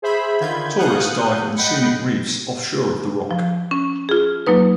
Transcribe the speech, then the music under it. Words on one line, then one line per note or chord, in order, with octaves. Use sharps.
Tourists dive in scenic reefs offshore of the rock.
G#4 C5 E5 B5
D3 D#3 F4 B5 G6 G#6
F5 F#5 D#6 F#6 G6
D#5 F#5 G5 B5 G6 C#7
F3
C#4
F4 G#4
F#3 A#3 D#4 B4